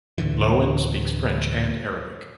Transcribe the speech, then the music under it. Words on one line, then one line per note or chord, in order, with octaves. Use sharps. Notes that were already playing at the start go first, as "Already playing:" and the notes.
Lowen speaks French and Arabic.
D2 A2 D3 E3